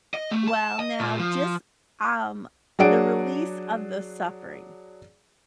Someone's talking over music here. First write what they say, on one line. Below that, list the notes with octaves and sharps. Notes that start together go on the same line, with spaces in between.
Well, now, just, um, the release of the suffering
D#5
A3
A5
D#5
A#2
F3
F#3 D4 G#4 D5 F#5 D7